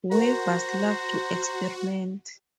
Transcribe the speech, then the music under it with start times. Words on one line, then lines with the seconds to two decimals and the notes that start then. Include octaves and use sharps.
Weavers love to experiment.
0.11 F#4 A#4 C5 A#5